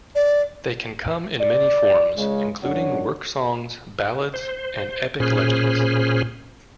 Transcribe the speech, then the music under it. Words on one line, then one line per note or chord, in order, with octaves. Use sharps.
They can come in many forms, including work songs, ballads and epic legends.
D5
D5
C#2 C#3 G#3
F#2 D4 C#5 F#5
C5
A#2 C#4 G#4 C5 B5 F6